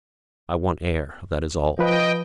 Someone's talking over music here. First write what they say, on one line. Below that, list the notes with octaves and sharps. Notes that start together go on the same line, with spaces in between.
"I want air, that is all."
F3 B4 D#5 G5